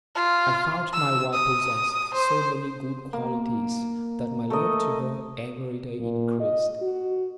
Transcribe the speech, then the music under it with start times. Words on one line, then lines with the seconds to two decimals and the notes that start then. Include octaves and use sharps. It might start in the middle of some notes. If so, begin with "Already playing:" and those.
I found my wife possessed so many good qualities, that my love to her every day increased.
0.16 F4
0.93 E6
1.33 D#6
2.15 C5
3.13 A#3
4.50 A3 A#4 D#5
6.01 A#2
6.40 D#5
6.82 F#4